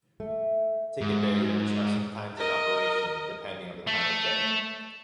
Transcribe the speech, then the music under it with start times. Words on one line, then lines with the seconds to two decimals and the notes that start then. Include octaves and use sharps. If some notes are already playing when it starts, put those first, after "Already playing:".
Ticket barriers are sometimes in operation, depending on the time of day.
0.20 A3
1.01 G#2
2.37 A#4 D#5
3.87 A3